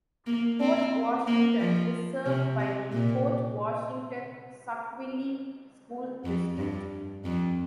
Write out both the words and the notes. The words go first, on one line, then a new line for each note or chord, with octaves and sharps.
Port Washington is served by the Port Washington-Saukville school district.
A#3
C4
A#3
F3
C3
C3
A#2
F2
G2
F2